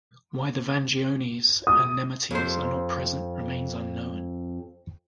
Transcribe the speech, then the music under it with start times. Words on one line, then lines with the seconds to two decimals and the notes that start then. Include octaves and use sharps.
Why the Vangiones and Nemetes are not present remains unknown.
1.67 D#6
2.31 F2 C5